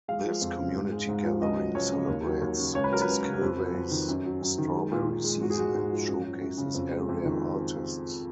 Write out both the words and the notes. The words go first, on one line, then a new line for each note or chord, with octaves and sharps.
This community gathering celebrates Tiskilwa's strawberry season and showcases area artists.
G#3 F5
F3
F2
C#3
G#2
G#3
G#2
F3
C#2 D#5
F#3
C#2 C#5
C#3
D#2
F#3
D#2
C#3
C#2 C#5
B4
F#3 A#4
B4
C#2
C#3
F2
F#3
F2
D#3
F#2
F#3
F#2
D#3
G#3
A#2
A#2
G#3
G#2 F#4
G#4
G#3 F#4
G#2
F3
F#2
F#3
F#2
C#3
F2
G#3
F2
D#3